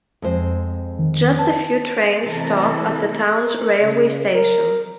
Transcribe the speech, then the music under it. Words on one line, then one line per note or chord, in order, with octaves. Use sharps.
Just a few trains stop at the town's railway station.
F2 G#3 C5
D#3
A5
C3 E3 A3 E4 A4 A#4
A#4
C#3
A#4